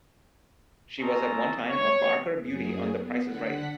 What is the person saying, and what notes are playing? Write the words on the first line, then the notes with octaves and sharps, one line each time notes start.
She was at one time a Barker Beauty on "The Price Is Right".
C4 C#4 A4 D#5 A5 A#5
C#5
F#2 G#4
B3
D3 F#5 B6